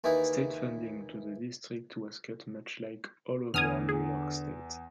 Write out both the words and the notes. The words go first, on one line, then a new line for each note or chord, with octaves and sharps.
State funding to the district was cut much like all over New York State.
D#2 E3 D#4 E4 B4
E2 D3 G#5 D#6 F6
G#4